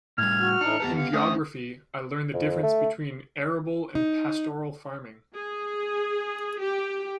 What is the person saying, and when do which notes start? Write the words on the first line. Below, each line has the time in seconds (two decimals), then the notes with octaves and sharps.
In geography, I learned the difference between arable and pastoral farming.
0.18 A2 G3 F6 G#6
0.40 F#4
0.61 A2 E3 D4 D#4 C#7
0.80 F2 B3 G4 B4 A5 A#5
0.97 F5 C#7
1.13 D3 A3 C#4 C5 D#6
2.34 F2
2.63 A3
3.95 D#4
5.36 G#4
6.62 G4